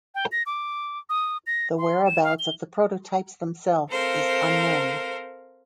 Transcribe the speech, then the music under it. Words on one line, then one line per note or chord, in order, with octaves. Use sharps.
The whereabouts of the prototypes themselves is unknown.
G5
A#6
D6
D#6
A#6
C6
E7
F5
G7
C4 A4 A#4 C5 F5